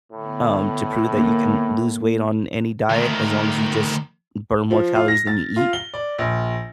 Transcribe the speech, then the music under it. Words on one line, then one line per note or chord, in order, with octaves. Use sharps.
um, to prove that you can lose weight on any diet as long as you just burn more calories than you eat.
A2 D3 B3
A#3
D2 D#3
F3
F4
A#6
A6
F4
G7
D5
A#1